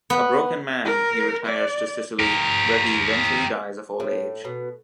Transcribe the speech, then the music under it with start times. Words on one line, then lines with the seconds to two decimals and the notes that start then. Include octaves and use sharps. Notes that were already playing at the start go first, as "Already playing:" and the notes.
A broken man, he retires to Sicily, where he eventually dies of old age.
0.10 B3
0.85 A#4
1.45 D5
2.20 G4 A#4
4.00 A2
4.45 B2